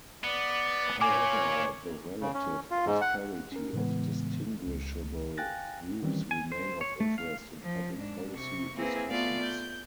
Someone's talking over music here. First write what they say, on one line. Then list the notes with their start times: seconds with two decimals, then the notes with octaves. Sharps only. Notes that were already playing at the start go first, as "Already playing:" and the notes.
However the relative prosperity of distinguishable groups remain of interest in public policy discussions.
0.24 B3 D5
1.01 A#2 A#3 C#5 G#5 D6
2.21 C#3
2.34 C#4
2.71 F4
2.86 G#2
3.01 F#5
3.52 C#4 A#4
3.73 A2 C#3 E3 G#3 B3
4.66 C#2
5.38 F5 G5 G#5 F#6 A6 A#6
6.03 D#3 E3 G3 C4 C#4
6.31 G#5
6.52 C5
6.81 C#5
7.00 A3
7.18 F5
7.61 F3
7.97 G#2 D4
8.34 C3 C#6
8.75 A#3 C4 E4 G#4 B4
9.09 A3 B3 F4 D5 F5
9.42 G6